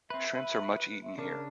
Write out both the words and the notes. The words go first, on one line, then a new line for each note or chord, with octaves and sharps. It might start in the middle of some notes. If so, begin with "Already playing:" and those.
Shrimps are much eaten here.
C4 B4 E5
B4
E5
C#3 D4 A#4